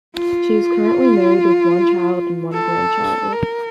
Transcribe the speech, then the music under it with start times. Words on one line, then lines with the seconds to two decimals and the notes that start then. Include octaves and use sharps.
She is currently married with one child and one grandchild.
0.16 F4
2.54 A4
3.33 A#4